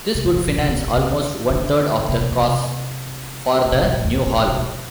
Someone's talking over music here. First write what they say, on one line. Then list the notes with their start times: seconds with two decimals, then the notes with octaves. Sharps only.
This would finance almost one third of the costs for the new hall.
0.15 C3
0.25 C#3
0.36 A#2
0.47 A2
0.58 C3
0.69 D3
0.78 C#3
0.87 C3
0.97 C#3
1.12 D#3
1.50 C#3
1.56 D3
1.99 C#3
2.09 C3
2.21 C3
2.31 C#3
2.42 C3
3.65 C3
3.72 B2
3.83 A#2
3.93 A2
4.04 E2
4.15 F2
4.26 A2
4.36 A#2
4.48 B2
4.58 B2